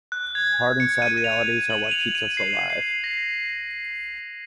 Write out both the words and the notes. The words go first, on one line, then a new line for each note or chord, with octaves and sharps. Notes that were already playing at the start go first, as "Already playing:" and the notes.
Hard and sad realities are what keeps us alive.
F#6
G#6
C#7
D#7
D#7
F7
F#7
D#7
F7
D#7
C7
C7
A#6